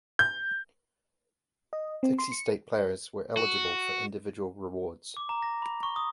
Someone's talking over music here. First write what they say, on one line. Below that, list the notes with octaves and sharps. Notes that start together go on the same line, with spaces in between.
Dixie State players were eligible for individual rewards.
G6
D#5
C4
C6
C#7
F#4
D6
A#5
A#6
B5
C#6
D#6